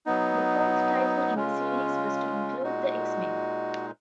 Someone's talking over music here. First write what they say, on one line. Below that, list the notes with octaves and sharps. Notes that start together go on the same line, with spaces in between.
The fourth title in the series was to include the X-Men.
F#3 B3 D#4
C#3 G#3 C#4 F4
A#2 G#3 D#4 F#4